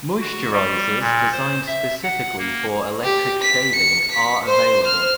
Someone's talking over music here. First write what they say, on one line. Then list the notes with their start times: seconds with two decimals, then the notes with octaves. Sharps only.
Moisturizers designed specifically for electric shaving are available.
0.21 F#4
0.52 G3
1.00 A#2
1.32 C5
1.67 E5
2.03 F#5
2.38 A#3
3.04 G4
3.42 B6
3.76 C#7
4.11 B6
4.46 C5 C6
4.83 C5 F6